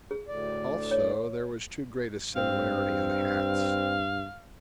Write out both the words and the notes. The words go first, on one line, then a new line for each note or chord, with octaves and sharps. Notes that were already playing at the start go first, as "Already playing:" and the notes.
Also, there was too great a similarity in the hats.
G#4
D2 A2 D5
C#5
G2 C4 F5